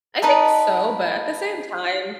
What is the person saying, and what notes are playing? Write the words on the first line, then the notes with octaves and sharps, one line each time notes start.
I think so, but at the same time,
D#4 B4 D#5 A5